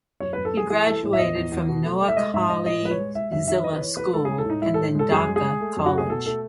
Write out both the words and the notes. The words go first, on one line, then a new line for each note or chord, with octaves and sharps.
He graduated from Noakhali Zilla School and then Dhaka College.
F#2 C#5
B4
F#2
A4
A3 G#4
E3 G#4
E3 A4
A2
E5
E2 D#5
E2
E2
B2
A3
A3
E5
G#3 D#5
G#2 E5
G#2 D#5
A2 D#5
G#3 B4
C#5
G#3
G#3 E5
F#2 E5
D#3 E5
E3 D#5
B4
E3 C#5
A3 B4
G#3 A4
G#4
G#3
A4
A2 D#4
G#3 E4
A4
A2
G#3 A4
F#2 G#4
G#3
G#4
G#3
A3
F#2
F#4
A3 G#4
B2 A4
A3 A4